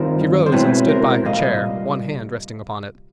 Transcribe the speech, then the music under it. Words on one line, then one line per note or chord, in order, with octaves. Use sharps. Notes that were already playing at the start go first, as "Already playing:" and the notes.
She rose and stood by her chair, one hand resting upon it.
Already playing: G2 D#3 G3 C4 F4 A#4 C5
C5
B2 G#3 C4 E4 B4 C#5
A#4 C5
C2 A#2 G3 D#5 F5